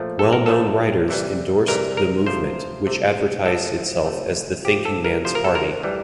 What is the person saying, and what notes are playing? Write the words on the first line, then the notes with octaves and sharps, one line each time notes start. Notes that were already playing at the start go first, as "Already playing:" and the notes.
Well-known writers endorsed the movement, which advertised itself as the thinking man's party.
Already playing: A#2 F3 A3
A4
A#4
A#2 F3 A3 A4
C3 E3 G3
C3 E3 G3 A#4
A#4
C3 F3 A3 C5
C3 F3 A3
C3 F3 A3 A4
C3 F3 A3
C3 F3 A3 G4
A4
A#4
C3 F3 A3 C5
A#4
A4
A#4
A2 E3 G3